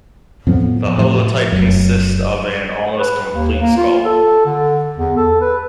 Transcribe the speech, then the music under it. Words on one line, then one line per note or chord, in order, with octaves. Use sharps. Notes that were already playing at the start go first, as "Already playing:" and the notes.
The holotype consists of an almost complete skull.
F2 A2 F3 B3
A2 F3
F1 F#2
B4
D#2
A#3
F4
A4
D3
E2
A4
B4